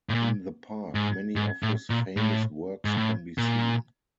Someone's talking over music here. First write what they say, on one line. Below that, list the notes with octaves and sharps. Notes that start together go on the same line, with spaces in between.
In the park many of his famous works can be seen.
A2
A#2
G#2
G#2
A2
A#2
A2
G#2
A2
A#2